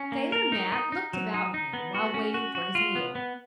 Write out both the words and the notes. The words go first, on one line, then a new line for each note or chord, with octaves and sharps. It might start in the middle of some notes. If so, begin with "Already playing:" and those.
Sailor Matt looked about him while waiting for his meal.
Already playing: C#4
A#3
A#4
D#4
D#4
D#4
F#3
D#4
D#4
B3
F#4
C#4
F#4
F#4
F4
B3
B3